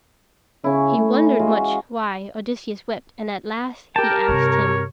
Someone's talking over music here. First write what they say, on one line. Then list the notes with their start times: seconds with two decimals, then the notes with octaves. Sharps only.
He wondered much why Odysseus wept, and at last he asked him.
0.64 C#3 C#4 E4
0.97 A3
1.39 G#3 F4 F#4
3.96 G4 A#4 G5 A5
4.28 G2 C3 C#5